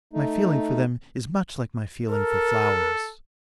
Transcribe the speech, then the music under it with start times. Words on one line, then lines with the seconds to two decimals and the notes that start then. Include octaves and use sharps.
My feeling for them is much like my feeling for flowers.
0.13 A3 D#4
2.09 A4 A#4